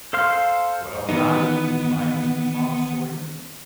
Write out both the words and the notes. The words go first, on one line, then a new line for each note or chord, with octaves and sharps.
'Well, Noddy,' replied Mr. Bob Sawyer.
A4 C5 F5 C6 F6
D#3 E3 B3 D#4